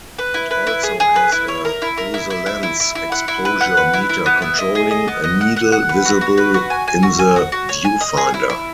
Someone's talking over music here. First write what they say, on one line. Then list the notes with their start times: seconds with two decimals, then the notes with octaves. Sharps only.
It also has a through-the-lens exposure meter controlling a needle visible in the viewfinder.
0.19 B4
0.34 E4
0.51 B4
0.67 E4
0.83 G#4
1.00 G#4
1.16 B4
1.32 E4
1.48 C#5
1.65 A#4
1.82 E4
1.97 A#4
2.14 E4
2.30 E4
2.46 E4
2.63 E4
2.80 E4
2.95 E4
3.12 F#5
3.28 E4
3.45 B4
3.61 F#5
3.77 B4
3.93 E4
4.09 E4
4.26 B3
4.42 E4
4.58 D#5
4.75 G#4
4.91 D#5
5.08 B3
5.24 D#5
5.41 F#5
5.56 F#5
5.72 F#5
5.89 B4
6.05 F#4
6.21 F#4
6.38 B4
6.54 F#4
6.70 G#5
6.88 G#5
7.03 F#4
7.19 G#5
7.36 F#4
7.52 F#4
7.69 C#5
7.85 G#5
8.01 D#5
8.17 G#4
8.34 E4
8.50 E4